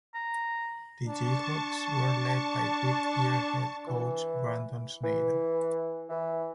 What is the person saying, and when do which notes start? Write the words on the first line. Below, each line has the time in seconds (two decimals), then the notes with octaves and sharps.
The Jayhawks were led by fifth year head coach Brandon Schneider.
0.14 A#5
1.07 D4 A5 C#6
3.87 E3
5.04 E3
6.09 E3